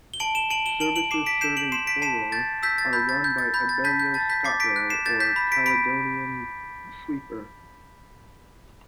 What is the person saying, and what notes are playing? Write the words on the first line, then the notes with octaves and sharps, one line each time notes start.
Services serving Corrour are run by Abellio ScotRail or Caledonian Sleeper.
G7
A5 D7 F#7
E7 G7
A5 D7 F#7
E7 G7
A5 D7 F#7
D7 F#7
D6 C7 E7
B6 D7
G6 C7 E7
D7 F#7
C6 C7 E7
B6 D7
A5 C7 E7
G6 A6
E6 G6 B6
A6
B5 G6
A6
G6
A6
B5 G6
A6
A5 G6 B6
G6
A5 A6
G6 B6
D6 A6 C7
B6 D7
F#6
C7 E7
G6 A6
G6 B6
B5
B6 D7
B5 B6 D7